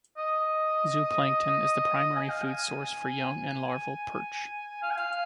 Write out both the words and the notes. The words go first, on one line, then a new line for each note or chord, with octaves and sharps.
Zooplankton is the primary food source for young and larval perch.
D#5
G#5
F5
G#5
F5
G#5
F5